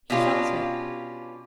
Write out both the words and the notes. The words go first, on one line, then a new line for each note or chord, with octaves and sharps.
He felt it.
B2 C#4 D4 F4 G4